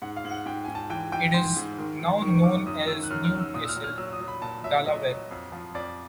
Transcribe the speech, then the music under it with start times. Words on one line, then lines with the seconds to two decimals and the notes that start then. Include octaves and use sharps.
It is now known as New Castle, Delaware.
0.02 G#2 F#5
0.17 F5
0.25 G#2
0.31 F#5
0.46 G#2 G5
0.64 G#2 G#5
0.75 A5
0.90 E3 G5
1.12 E3 G5
1.34 G#2 C6
1.56 G#2
1.78 D#3
2.00 D#3
2.22 D#3 C#6
2.35 C#6
2.44 F#2 D6
2.66 F#2 D#6
2.88 D#3 E6
3.03 F#6
3.10 F#2 F6
3.25 F6
3.33 F#3
3.39 E6
3.54 A#2 D#6
3.65 E6
3.69 F6
3.76 F#3
3.84 F6
3.98 F#3 E6
4.13 D#6
4.20 F#3
4.28 B5
4.42 A#2 A5
4.64 F#3 E5
4.86 F#3 D#5
5.08 F#3
5.31 F2
5.52 F3
5.74 F2 D5